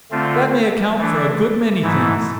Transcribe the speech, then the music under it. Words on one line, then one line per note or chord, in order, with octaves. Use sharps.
That may account for a good many things.
D3 A3 C4 F4
E3 A3 D4
G#2 E3 A3 E4